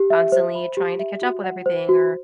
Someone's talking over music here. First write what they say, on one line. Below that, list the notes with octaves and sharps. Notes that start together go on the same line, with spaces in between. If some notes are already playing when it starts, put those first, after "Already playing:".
constantly trying to catch up with everything or,
Already playing: G4
E5
C5
B5
G4
E5
F#4
F#5
C5
F#4